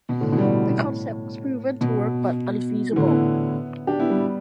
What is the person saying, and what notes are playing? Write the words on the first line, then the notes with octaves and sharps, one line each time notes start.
The concept was proven to work, but unfeasible.
B2
A2 D3
B2 E3
G3
B2 E3
B2
A2
B2
E3
A2 D3
B3 E4
D4 G4
B3 E4
G3 B3